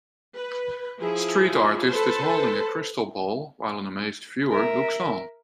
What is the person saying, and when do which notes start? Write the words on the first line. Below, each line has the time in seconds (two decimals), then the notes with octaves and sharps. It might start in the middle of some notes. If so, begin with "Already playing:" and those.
Street artist is holding a crystal ball, while an amazed viewer looks on.
0.35 B4
0.99 F3 E4 G#4
1.88 A4 B4 C5 A5
4.51 A#4 E5